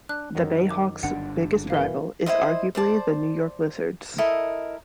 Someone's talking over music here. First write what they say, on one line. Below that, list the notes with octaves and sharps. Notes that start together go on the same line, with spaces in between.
The Bayhawks' biggest rival is arguably the New York Lizards.
D4 F#6
F#2 D#3 F#3
D6
G1 D4 F#5
B2 E3 A#4 F5
E4 F#4 C5 D#5
C5 D5 A5
E4 A4 A#4 D#5